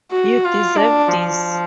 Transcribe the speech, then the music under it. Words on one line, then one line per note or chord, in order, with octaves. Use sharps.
You deserve this.
F#4
F4
D4
F3